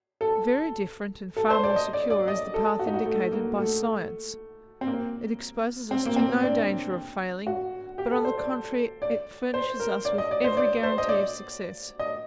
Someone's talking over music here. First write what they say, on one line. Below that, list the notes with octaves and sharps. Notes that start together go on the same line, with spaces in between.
Very different, and far more secure, is the path indicated by SCIENCE; it exposes us to no danger of failing, but, on the contrary, it furnishes us with every guarantee of success.
A4
A4
C5
D5
D#5
D5
D5
D#5
A4
F#4
D#4
F#4
A3
A#3
A3
C4
A#3
C4
A#3
C4
D4
F#4
G4
A4
C5
D5
D5
C5
A#4
D5
D#5
D5
C5
D5
C5
D#5
D5
D#5